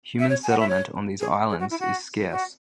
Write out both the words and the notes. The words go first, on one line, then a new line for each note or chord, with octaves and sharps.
Human settlement on these islands is scarce.
E5
C#5
G#5
F#5
E5
C#5
G#4
G#4
F#4
E4
F#4
F#4